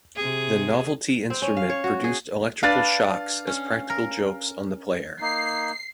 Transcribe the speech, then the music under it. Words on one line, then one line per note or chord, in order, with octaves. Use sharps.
The novelty instrument produced electrical shocks as practical jokes on the player.
C3 G#4
C4
C#4
F5
C#5
F#4
G#4
D4 B4 D5 F5 A6
C#4
A#4
A#3 D#4 C7